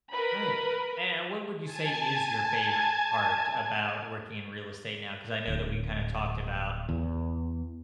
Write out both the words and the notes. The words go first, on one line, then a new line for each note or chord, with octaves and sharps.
Right, and what would you say is your favorite part about working in real estate now? 'Cause I know that we kinda talked about
A#4 B4 B5
G#5 A5 G#6
D1
E2